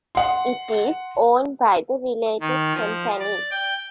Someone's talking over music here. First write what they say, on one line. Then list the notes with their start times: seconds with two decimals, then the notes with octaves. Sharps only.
It is owned by The Related Companies.
0.15 F#5 C6
2.40 D#3
2.74 F3
3.20 D5
3.51 G5